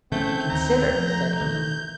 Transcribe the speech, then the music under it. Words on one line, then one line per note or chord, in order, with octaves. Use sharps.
"Consider," said he.
C#3 E3 A3 C4 C#4 G6
D#2 D#3 A#5
F3 A3
D#3 E3